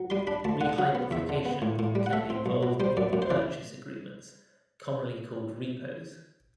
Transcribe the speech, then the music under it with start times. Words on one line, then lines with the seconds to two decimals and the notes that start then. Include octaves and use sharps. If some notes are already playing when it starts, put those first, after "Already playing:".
Rehypothecation can be involved in repurchase agreements, commonly called repos.
Already playing: F#3
0.10 G3 C6
0.27 D4 B5
0.44 D2 A5
0.61 D3 F#5
0.78 F#3 F#5
0.95 B3
1.11 E2 E5
1.29 D3
1.45 B3
1.62 A2
1.79 A2
1.95 G3
2.06 F#5
2.13 A3 E5
2.30 C4
2.46 B1
2.63 B2
2.80 G3 C5
2.97 F#2 D5
3.13 F#2
3.22 C5
3.30 E3 D5